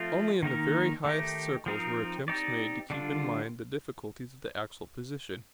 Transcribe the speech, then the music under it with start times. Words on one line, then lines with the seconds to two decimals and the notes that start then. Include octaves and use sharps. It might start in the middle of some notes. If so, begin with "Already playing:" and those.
Only in the very highest circles were attempts made to keep in mind the difficulties of the actual position.
Already playing: F3 A3 C4 F4
0.43 D#3 A#3 D#4 A#4
1.05 D#3 A3 D#4 G4
1.66 F3 C4 D#4 A#4
2.28 C4 D#4 G4 D5
2.90 D3 G3 D4 F4